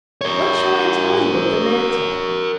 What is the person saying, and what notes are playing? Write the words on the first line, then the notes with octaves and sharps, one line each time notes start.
What shall I tell you of the mantle?
A#4 C#5